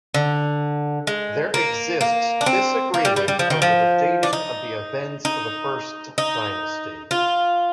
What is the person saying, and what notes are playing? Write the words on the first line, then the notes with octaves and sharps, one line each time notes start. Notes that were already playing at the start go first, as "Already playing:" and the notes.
There exists disagreement over the dating of the events of the first dynasty.
D3
G#3
A#3
A#3
D4
C4
A#3
G3
G3
G3
F3
D#3
F3
D4
D#4
D#4
D#4
F4